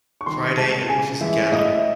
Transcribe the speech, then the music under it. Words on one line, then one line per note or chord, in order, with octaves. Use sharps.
Friday and Officer Gannon.
C#6
D#3 C6
G#3 A5
C#3 G#5
E3 G#3 E5
A2 D#5
E5
D#5